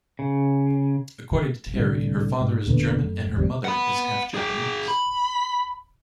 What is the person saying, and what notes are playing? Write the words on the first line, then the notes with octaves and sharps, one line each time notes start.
According to Teri, her father is German and her mother is half-Japanese.
C#3
C2 A2 D3
G#2
E1 A#2 D3 B3
F#2 A3
G1 E2 G3 C4
F#5 B5
G#4 G5
B5